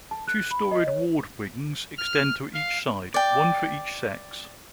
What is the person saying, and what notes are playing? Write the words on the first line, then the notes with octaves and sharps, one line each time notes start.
Two storeyed ward wings extend to each side, one for each sex.
A5
F#6
B5
D#5
C#5
F6
F5
D5 G5